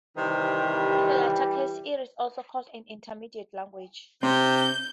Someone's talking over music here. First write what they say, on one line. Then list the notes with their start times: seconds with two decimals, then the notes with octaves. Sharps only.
In the latter case it is also called an "intermediate language".
0.17 C3 D#3 E3 G3
4.23 C3 C4 G6